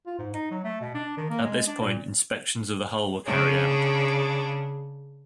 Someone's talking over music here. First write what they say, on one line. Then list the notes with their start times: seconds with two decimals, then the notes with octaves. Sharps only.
At this point inspections of the hull were carried out.
0.07 F4
0.19 G#2
0.34 D#4
0.51 F#3
0.64 A3
0.81 B2
0.95 D4
1.18 D#3
1.30 A#3
1.44 G#3
1.67 D4
1.80 A#2
3.25 C#3 D4 G#4